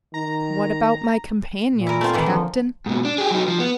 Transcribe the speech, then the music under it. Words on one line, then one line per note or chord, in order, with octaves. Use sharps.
"What about my companions, captain?"
D#3 A#5
A#2
E4 A#4
A3 C4 F4
D#3 E3 A#3
D3 F3
G#2 B2
D4
G4 G#4
F#3 D#4
F3
B3